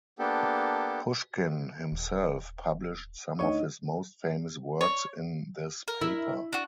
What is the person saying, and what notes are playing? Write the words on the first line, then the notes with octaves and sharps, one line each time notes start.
Pushkin himself published some of his most famous works in this paper.
A#3 B3 D4 G4 A4
D#1
D2 D#4 C#5 D#5 C#6
C#5
A#4
E4
D4 F#4